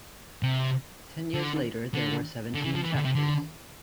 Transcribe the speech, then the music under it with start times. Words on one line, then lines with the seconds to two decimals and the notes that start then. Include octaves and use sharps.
Ten years later, there were seventeen chapters.
0.43 C3
1.34 D3
1.94 D3
2.54 D3
2.64 E3
2.75 F3
2.84 E3
2.95 D3
3.05 C3
3.15 D3